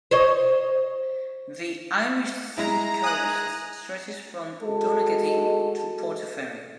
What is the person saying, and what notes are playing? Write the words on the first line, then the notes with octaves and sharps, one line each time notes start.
The Irish Sea coast stretches from Donaghadee to Portaferry.
C5 C#5 D#5
G#3 E4 G#4 A#5
G#5 D#6 F#6
G#3 F#4 A4